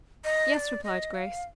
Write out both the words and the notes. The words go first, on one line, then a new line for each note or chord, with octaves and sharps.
"Yes," replied Grace.
D#5
D5
D#5
F5